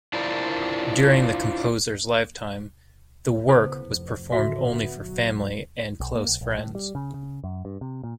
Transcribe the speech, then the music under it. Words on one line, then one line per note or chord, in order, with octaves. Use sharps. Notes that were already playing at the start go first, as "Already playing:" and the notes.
During the composer's lifetime, the work was performed only for family and close friends.
D4 E4 F4 A#4 C5 D5
C#3 B3 E4 A4 C5
F1
A2 D3 D#3 F#4 E5
B3
B1 F#3
B1
A#3
B1
A#1
A2
G3
C#3
C#3
F#2
G2
C3
A#2